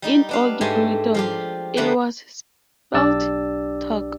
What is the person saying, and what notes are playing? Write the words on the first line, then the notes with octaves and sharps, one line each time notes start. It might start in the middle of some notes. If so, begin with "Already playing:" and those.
In Old Breton, it was spelled "toc".
G3 D#4 G4
B3 D4 F5
G#2 A3 G4 G#5 C6
F3 F4 G4
D3 A3 A#3 G4 B4 C5
B1 D4 G4 D5 E6 A6